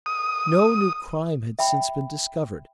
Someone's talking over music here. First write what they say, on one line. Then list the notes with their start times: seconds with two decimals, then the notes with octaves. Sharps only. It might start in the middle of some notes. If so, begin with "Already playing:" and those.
No new crime had since been discovered.
0.06 D#6
1.59 E5 G5 B5